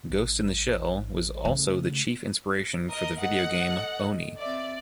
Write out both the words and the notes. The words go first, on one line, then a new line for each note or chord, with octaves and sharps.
"Ghost in the Shell" was also the chief inspiration for the video game "Oni".
A1
C#3 A3
A#4 D#5
A4 D#5 F#5
C4 D5 E5